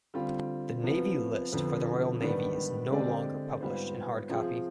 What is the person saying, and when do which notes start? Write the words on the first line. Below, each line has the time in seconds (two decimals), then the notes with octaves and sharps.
The Navy List for the Royal Navy is no longer published in hard-copy.
0.14 D3 G3 C4 F4
0.84 C3 F3 B3
1.53 F2 D3 F3 B3
2.21 G#2 D#3 G3 B3 D4
2.91 D3 G#3 C4 G4 D5
3.61 G#2 G3 B3 F4 C5
4.29 C3 F3 C4 F4 G#4